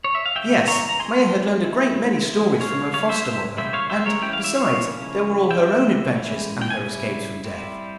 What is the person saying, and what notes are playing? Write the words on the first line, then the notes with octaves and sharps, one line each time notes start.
Yes, Maia had learned a great many stories from her foster-mother, and, besides, there were all her own adventures, and her escapes from death.
C#5
E5
F5
C#3 E3 G#3 E5 G5
A#5 C#6
A#5
G3 C4 E4 G#5 C6
E3 G#3 E4
F3 G#3 E4
C#5 F5
C#3 G3 C#4 E4 C#5 F5
C5 E5
C5 E5
C#3 E3 G3 A#3 E4 C5 E5
C#5 F5
C5 E5
A#4 C#5
E3 G3 C#4 E4 G5
F5
E5
C#5 F5
C#3 F3 A#3 C#4 E4
G3 C#4 E4 E5 G5
E3 G#3 C#4 E4
G5
G#5
C#3 G3 E4
G3 C4 E4